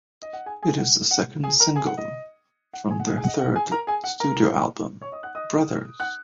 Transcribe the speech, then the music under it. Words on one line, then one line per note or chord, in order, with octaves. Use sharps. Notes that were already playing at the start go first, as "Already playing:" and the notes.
It is the second single from their third studio album "Brothers".
D#5
F#5
G#4 G#5
G#4 G#5
F#5
F#5
G#4 G#5
A#4 A#5
G#4 G#5
F#5
D#5
F#5
G#4 G#5
F#5
G#4 G#5
G#4 G#5
F#5
D#5
F#5
G#4 G#5
A#4 A#5
G#4 G#5
F#5
A#4 A#5
C#5 C#6
D#5 D#6
F#5 F#6
D#5 D#6
F#5 F#6